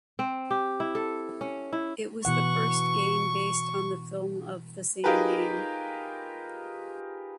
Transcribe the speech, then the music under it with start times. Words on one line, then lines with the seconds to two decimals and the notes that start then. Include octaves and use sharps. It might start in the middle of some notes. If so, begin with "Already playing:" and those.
It was the first game based on the film of the same name.
0.19 C4
0.51 G4
0.80 E4
0.95 A4
1.41 C#4
1.73 E4
2.25 B2 E3 F#5 C#6
5.04 D#4 F4 G4 G#4 A#4 B4